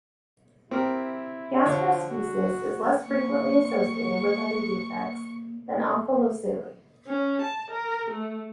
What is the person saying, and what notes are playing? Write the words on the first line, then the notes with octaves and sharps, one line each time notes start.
Gastroschisis is less frequently associated with other defects than omphalocele.
C4 E4 G4 A#4
D3 F3 C#5
F#4
A#3 C#6
C#4
A5
A#4
A3